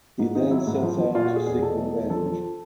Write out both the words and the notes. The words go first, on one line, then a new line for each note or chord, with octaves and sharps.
He then sets out to seek revenge.
G#2
D#3 D#4
F#3 E4
G#2
F3
F3
A#2 F4
F#4
A#2
G#4
E2 G#4
B2 A4
F#3
E2
F3 A4
F3